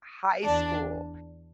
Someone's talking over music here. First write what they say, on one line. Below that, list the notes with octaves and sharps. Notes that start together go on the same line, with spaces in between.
high school,
E2 D4